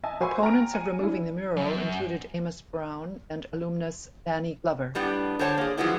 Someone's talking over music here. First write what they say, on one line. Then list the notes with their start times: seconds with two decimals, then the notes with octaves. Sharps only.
Opponents of removing the mural included Amos Brown and alumnus Danny Glover.
0.03 D#5 E5 G#5 A5 E6
0.21 F#4 C5 G#5 B5 C#6 E6
0.42 G5 A#5 F6 A#6 D7
0.74 G#5 C#7 D#7
1.00 D4 E4
1.56 F#2
4.95 A2 G3 B3 D4
5.39 D3 C5 C#5 F#5 A5
5.58 A#3 G#4
5.77 D#3 F3 F#3 G#3 B3 E4